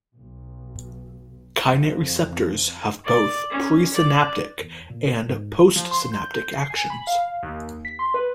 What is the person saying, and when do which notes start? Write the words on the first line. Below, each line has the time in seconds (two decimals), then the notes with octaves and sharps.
Kainate receptors have both presynaptic and postsynaptic actions.
0.17 B1
1.67 F2
3.05 D5
3.50 C#4
3.94 D5
4.61 E2
4.90 A#2
5.28 G#2
5.76 F3
5.91 C6
6.12 G6
6.49 C7
6.70 G#5
6.90 B5
7.07 F5
7.43 D#2
7.85 B6
7.99 C6
8.14 B4